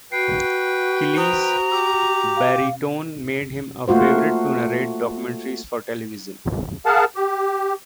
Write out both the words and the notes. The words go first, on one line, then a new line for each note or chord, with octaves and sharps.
Kiley's baritone made him a favorite to narrate documentaries for television.
F#4 B4 G5 C7 D7
C5 A#5 D#6
G4 E6
F5
A3 A#3 F4 F#4 C5
G#4 A#4 F5 F#5 A5
G4